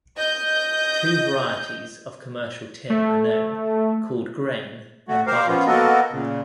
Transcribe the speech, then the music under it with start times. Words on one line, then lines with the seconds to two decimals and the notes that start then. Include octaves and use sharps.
Two varieties of commercial tin are known, called grain and bar-tin.
0.18 D#5 G6
2.90 A3
5.08 A3 F#4
5.27 G4 A#4 C5 F5
5.48 F3 B3 C#4 F4
5.67 A#3 B3 F#4 A4 A#4 D#5
6.12 A#2 C#3